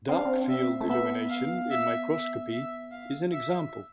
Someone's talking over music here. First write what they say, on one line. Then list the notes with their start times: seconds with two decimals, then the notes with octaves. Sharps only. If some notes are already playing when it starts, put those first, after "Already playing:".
Dark-field illumination in microscopy is an example.
0.09 C4 F5
0.17 D4
0.25 C4
0.49 E5
0.81 A3
0.90 B3 E5
1.30 F5
1.71 E5
2.12 E5
2.52 E5
2.92 F5
3.32 E5